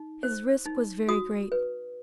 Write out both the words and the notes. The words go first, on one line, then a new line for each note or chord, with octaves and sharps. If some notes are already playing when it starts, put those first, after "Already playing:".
His risk was very great.
Already playing: D#4
C5
D#4
F#4 D#6
B4